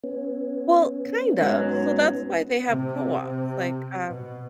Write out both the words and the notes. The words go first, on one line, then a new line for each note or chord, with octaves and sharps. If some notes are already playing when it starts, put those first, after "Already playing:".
Well, kind of. So that's why they have co-ops, like, um,
B3 C#4
G#2 F#3
C3
C3
B2